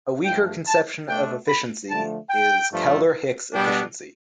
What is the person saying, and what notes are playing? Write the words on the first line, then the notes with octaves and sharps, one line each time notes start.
A weaker conception of efficiency is Kaldor-Hicks efficiency.
G2 F3 A3 G5
A5
B2 A3 D4 G5
B5
D3 F3 A3 A5
G5
G2 F3 A3
B2 G3 B3 D4 G5